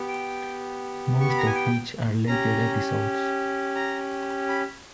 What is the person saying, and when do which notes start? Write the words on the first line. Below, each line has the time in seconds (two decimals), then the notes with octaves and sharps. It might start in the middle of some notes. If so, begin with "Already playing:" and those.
Most of which are later episodes.
Already playing: B3 G4
0.08 G5
1.20 C#6
1.30 B5
1.38 A#5
1.46 G#5
1.55 G5
2.27 C#4 G4 A#5
3.75 A#5
4.49 B5